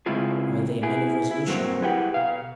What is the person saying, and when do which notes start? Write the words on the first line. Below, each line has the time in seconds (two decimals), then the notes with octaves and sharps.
"Are they men of resolution?"
0.06 C#3 G#3 C4 E4 F4 G#4
0.83 E4 G#4
1.31 E4
1.47 G2 F#3 A#3 C4
1.82 E4 G4 G#4 B4 F#5 G5
2.14 B2 F5